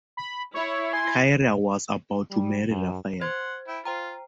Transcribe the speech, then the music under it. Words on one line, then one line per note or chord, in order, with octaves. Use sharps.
Kyra was about to marry Rafael.
B5
E4 C#5
G#5 C6
G3
F#2
C5 F#5 C6 G#6
E4 G5
F4 C5 G5 A#5